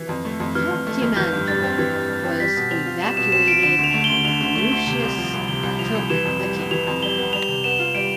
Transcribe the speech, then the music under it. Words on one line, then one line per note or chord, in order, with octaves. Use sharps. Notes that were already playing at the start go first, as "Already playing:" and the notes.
Cartimandua was evacuated and Venutius took the kingdom.
Already playing: E3
F2
A3
F2
E3 F6
F2
A3
F2
E3 G6
G2
G3 A6
C4
E3
G2
G3
C4
G3 B6
B2
C4 F7
F4
G3 E7
B2 E7
C4 E7
F4 D7
D3 E7
D2
F7
A3
G7
D2
D3 F7
D2
A3
D2
C3
C2
F3
C2
C3 G7
C2
F3 F7
C2
E3 E7
F2
G3
B3
E3 F7
F2
G3 G7
B3
G3 F7
C3
B3 E7
F4
G3 D7